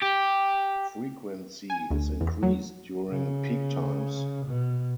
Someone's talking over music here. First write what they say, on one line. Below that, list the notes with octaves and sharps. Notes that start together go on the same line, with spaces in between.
Frequency is increased during peak times.
G4
G#5
D2
E2
F#3
C#3
B2